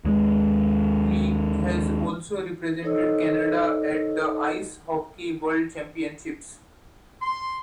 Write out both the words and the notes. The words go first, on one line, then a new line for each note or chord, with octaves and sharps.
He has also represented Canada at the Ice Hockey World Championships.
D#2 G#3
D#4 A4 C5 C#5 D#5 E6
C6